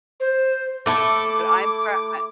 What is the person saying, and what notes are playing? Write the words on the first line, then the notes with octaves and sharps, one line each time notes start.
But I'm prou I
C5
A3 E4 A4 D6